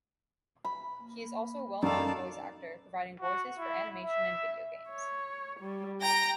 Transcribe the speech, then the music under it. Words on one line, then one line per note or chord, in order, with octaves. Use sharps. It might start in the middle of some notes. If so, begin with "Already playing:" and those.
He is also a well-known voice actor, providing voices for animation and video games.
B5
A#3
F#2 D#3 A4 D5 F5 A5
F#4
E4
E5
C#5
G3
G5 A#5 A#6